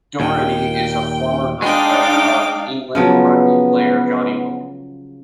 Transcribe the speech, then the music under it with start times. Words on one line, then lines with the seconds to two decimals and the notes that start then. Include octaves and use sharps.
Dougherty is a former girlfriend of England rugby player Jonny Wilkinson.
0.20 D#2 A#2 G5
1.62 G#3 D4 D#4 F5 G5 D6
2.95 C#3 F3 F#3 B3